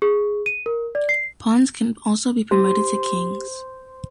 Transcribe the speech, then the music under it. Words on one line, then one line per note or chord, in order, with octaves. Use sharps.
Pawns can also be promoted to Kings.
G#4
D#7
A#4
D5
C7
G4 C5